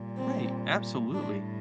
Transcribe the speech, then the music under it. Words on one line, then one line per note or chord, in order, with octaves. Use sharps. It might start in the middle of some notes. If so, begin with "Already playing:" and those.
Right, absolutely.
Already playing: A#2 G3
C4
A2 G3 D4